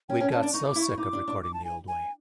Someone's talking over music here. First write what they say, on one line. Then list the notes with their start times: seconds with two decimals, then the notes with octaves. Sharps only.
We'd got so sick of recording the old way.
0.09 C#4 G5
0.20 C#4
0.32 C#4 A5
0.43 D4
0.53 D#4 C#6
0.67 D6
0.75 E4
0.81 C#6
0.98 D#4 D6
1.13 D4
1.28 D4
1.43 D6
1.54 A5
1.65 G#5
1.88 G#5